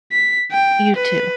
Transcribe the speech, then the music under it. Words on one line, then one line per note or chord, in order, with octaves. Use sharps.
You too.
B6
G5
B4